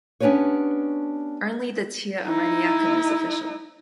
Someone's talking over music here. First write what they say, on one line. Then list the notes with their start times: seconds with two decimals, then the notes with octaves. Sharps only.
Only the "tear ammoniacum" is official.
0.20 B3 C#4 D4 G4 B4 C#5
2.26 D#4 E4